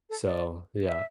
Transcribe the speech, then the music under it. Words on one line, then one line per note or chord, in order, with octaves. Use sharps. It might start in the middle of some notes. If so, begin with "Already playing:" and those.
so yeah.
A4
D5
E5